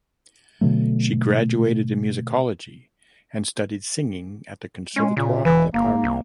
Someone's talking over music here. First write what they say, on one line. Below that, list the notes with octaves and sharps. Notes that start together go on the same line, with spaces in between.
She graduated in musicology and studied singing at the Conservatoire de Paris.
B2 D3 F#3 A3
G#3 C#4
A#2 C#3
E1 E3
G1 A#3
C2